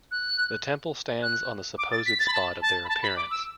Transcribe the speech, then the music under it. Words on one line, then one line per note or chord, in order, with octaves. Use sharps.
The temple stands on the supposed spot of their appearance.
F#6
F#6
D6
A6
B6
A6
B5
A5
A5
B5
A5
B5
D6
E6